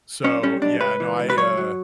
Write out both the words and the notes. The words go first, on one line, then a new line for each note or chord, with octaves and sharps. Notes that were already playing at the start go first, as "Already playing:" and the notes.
So yeah. No, I, uh,
B1 C#4
G3 C#4
B1 D4
C#2 B4
E3
C#2
B4
F#3 C#5
F#3